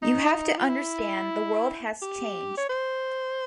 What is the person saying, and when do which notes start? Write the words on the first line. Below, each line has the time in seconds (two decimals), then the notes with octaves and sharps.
You have to understand the world has changed.
0.02 D#4
0.58 F4
0.69 E4
2.02 G4
2.57 C#5
2.69 C5